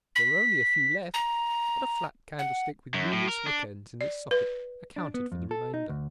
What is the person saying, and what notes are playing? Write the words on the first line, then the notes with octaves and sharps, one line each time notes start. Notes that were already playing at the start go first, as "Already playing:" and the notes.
There were only a few left, but a flat candlestick with numerous wick-ends in its socket accounted for the remainder.
B6
A#5
F#5
F#2
A2
A#4
D4
D5
B4
D4
B3
F2
A4
D#4
D2